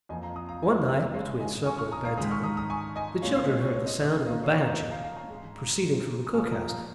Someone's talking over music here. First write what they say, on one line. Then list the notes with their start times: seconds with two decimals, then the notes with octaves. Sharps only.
One night, between supper and bedtime, the children heard the sound of a banjo proceeding from the cook-house.
0.09 F2 F3 A#3 D#5 G#5
0.23 F5 A#5
0.36 A#5 D#6
0.49 F5 A#5
0.63 D#5 G#5
0.88 D#5
1.14 C#3 G#3 C#5 F5
1.40 D#5 G#5
1.66 G#5 C#6
1.78 C#6 F6
1.92 A#5 D#6
2.05 F5 A#5
2.17 G#2 D#3 G#3 A#5 D#6
2.31 C#6 F6
2.43 A#5 D#6
2.57 A#5 D#6
2.70 G#5 C#6
2.96 D#5 G#5
3.22 A#2 G#3 C#5 F5
3.35 C#5 F5
3.48 D#5
3.61 C#5
3.74 C#5
3.86 D#5
4.00 D#5
4.12 D#5
4.26 A#3 D#5
4.29 A#2
4.43 C#5 F5
4.60 F5 A#5
4.78 D#5
4.91 F5 A#5
5.04 F5 A#5
5.17 F5 A#5
5.30 G#2 G#3
6.27 D#6
6.34 A#2 F3 A#3 G#5 C#6
6.43 F6
6.51 A#5 D#6
6.68 F5 A#5